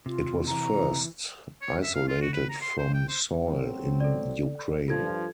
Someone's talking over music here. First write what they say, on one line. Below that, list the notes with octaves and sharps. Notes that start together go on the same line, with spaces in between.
It was first isolated from soil in Ukraine.
C3 F4
E3 A#5
C#5
E5
F5
F4
F#4
B4
A#5
C6
C5
G5
C5
F#3 C4
A4 D5
G2 F3 F4 A4 G#6